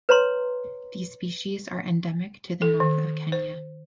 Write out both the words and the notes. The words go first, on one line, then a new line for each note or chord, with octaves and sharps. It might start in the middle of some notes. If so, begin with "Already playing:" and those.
These species are endemic to the north of Kenya.
B4 C#5 A#5 C6
A4
D#3
C5